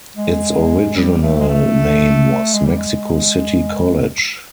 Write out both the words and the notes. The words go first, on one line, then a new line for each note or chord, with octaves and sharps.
Its original name was Mexico City College.
G#3
G3
A3
G#3
A3
G#3
G3
G#3